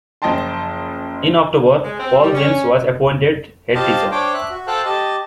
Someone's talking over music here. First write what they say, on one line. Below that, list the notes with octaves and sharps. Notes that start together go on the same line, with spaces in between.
In October, Paul James was appointed Headteacher.
F#1 F3 D#5 G5 A5 C6
G#3
C4
G3
C#4
F4 G4 C5 D#5 F5 A5
D4 C5 C#5 G5 D6
E5 F#6
F#4
A4 C5 F5 G5 A5 F#6
G4 D#5 A5